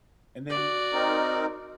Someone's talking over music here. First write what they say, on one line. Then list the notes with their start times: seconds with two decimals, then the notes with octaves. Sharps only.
And then
0.50 F#4 D5
0.93 C4 D#4 A#4